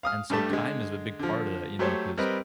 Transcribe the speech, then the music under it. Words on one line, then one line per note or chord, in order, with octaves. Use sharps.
And so time is a big part of that, you know, 'cause,
F5 D#6 F6
G2 G3 A3 G4 A5
D3 G#3
D3 F3
F#3 A3 G4 A4 C5 C#5
G3 C4 A#4 B4 D#5